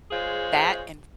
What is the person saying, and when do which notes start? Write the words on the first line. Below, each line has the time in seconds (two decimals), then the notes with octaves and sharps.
That and
0.11 G#3 F4 G#4 C5 C#5